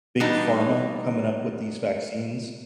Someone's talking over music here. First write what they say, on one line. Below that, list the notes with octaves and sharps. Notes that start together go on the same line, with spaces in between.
Big Pharma coming up with these vaccines,
E3 G3 B3 D4 D#4